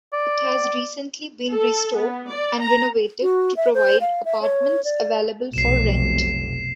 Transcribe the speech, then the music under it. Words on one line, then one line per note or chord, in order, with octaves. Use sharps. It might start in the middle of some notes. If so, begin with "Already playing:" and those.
It has recently been restored and renovated to provide apartments available for rent.
D5
A4
B3
D5
A#5
F#4
E5
C5
F5
E5
C#5
D5
F1 B1 C3 C7 E7